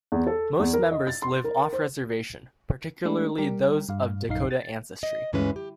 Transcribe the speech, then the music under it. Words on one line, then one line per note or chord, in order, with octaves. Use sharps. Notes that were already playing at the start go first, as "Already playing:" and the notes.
Most members live off-Reservation, particularly those of Dakota ancestry.
E2
A4
E2
A#4
D#5
A6
C6
A#4
C5
G#3 A3 D4 G4
G3 G4 A#4
G2 F5
A#1 F#2 D#4 F5 C7
A6
D#5
D2 G2 E3 G#3 C#4 B4
G4